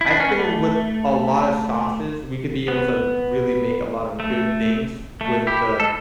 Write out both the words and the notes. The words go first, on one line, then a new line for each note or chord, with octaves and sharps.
I feel with a lot of sauces we could be able to really make a lot of good things with the
E4
D4
C#4
B3
A3
B3
A3
A3
E4 G4
A4